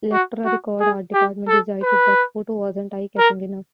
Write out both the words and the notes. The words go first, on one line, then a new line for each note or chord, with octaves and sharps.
Elektra Records art department decided that photo wasn't eye-catching enough.
F#4
F#4
G#4
G4
A4
B4
A#4